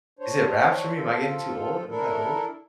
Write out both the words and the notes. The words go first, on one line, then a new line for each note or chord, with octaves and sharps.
"is it wraps for me? Am I getting too old? Am I old?"
D4 C5 C#5
F3 F4 A4
D4 E4 A4 A#4